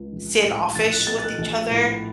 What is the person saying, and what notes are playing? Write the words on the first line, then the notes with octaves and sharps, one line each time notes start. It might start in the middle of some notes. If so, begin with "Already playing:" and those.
standoffish with each other,
Already playing: C#2
A#1
A2
A#1 A6
F#6
A3 A6
A6
F#6
A#1
A2